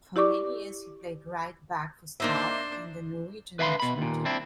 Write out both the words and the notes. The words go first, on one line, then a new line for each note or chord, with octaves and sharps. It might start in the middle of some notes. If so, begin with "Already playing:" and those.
For many years he played right back for Start and the Norwegian national team.
E4 G4 D5 C#6 D6
A#3 D4 D#4 C5 E5
B4 E5 F5 G5 B5 C6
B2 B5
D#2 A#2
C4 D4 E4